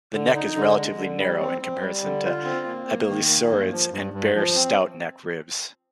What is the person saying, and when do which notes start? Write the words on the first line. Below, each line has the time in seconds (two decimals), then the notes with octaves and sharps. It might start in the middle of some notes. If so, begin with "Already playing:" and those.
The neck is relatively narrow in comparison to abelisaurids and bear stout neck ribs.
0.14 D3
0.35 D#4
0.56 D3
0.76 G#3
0.97 D3
1.18 G3
1.40 C4
1.61 C4
1.82 G3
2.03 D3
2.24 F4
2.45 C4
2.66 A#3
2.87 A#3
3.09 D#3
3.29 A#3
3.51 G2
3.71 F3
3.92 G2
4.13 G2
4.35 F3
4.55 C4